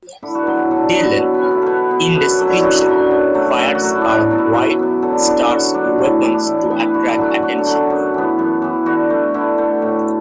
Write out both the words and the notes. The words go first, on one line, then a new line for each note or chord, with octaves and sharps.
Delenn, in desperation, fires her White Star's weapons to attract attention.
D3 E4
F#4
F#3 B3
E4
D3 A4
F#3 B3
B2 A4
B4
B3
A4
B2 A4 B4
B3
F#2 B4
A4
D3 F#3
E4
F#2 F#4
D3 F#3
F#2
F#3 A3
F#2 A4
F#4
F#3 A3
E4
D4
B2 E4
F#3 B3
E4
B2 E4
F#3 B3
D3 A4
E4
F#3 B3 F#4
A4
D3 F#4
F#3 B3 D4
A2 E4
E3 B3 E4
D4
A2 E4
D4
E3 B3
B4
D3 F#4
E4
F#3 A3 F#4
F#4
D3 F#4
A4
F#3 A3
A4
F#2
E3 B3
F#2
E3 B3
D3 F#4
A3
D3 E4
A3
A2